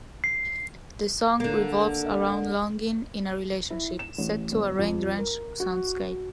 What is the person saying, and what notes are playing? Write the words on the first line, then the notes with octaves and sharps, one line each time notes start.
The song revolves around longing in a relationship, set to a rain-drenched soundscape.
C7
D3 A#3
E4
E7
A1
G1
F2
A#4
F#4